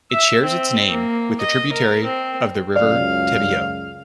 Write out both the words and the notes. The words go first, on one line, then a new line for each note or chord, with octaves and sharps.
It shares its name with a tributary of the River Teviot.
E5
C4
A#3
D#5
A#4
C4
C#2 F#2 C#3 D5 F5